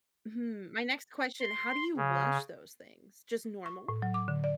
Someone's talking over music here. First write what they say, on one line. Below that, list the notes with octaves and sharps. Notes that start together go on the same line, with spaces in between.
Hmm. My next question- how do you wash those things? Just normal?
C6
C#3
C#6
A2
F#3
D6
D3
D5